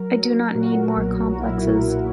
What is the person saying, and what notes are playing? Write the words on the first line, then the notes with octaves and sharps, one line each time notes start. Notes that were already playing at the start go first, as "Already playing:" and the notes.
I do not need more complexes.
Already playing: F#3 A#4
F#3
A#2 F#4
B1
B1 E4
B1